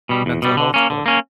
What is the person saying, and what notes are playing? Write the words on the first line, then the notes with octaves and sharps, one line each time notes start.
mental health, but
B2 G3
E2
B2 G3
D3
A#3 C#4
D3
A#3 C#4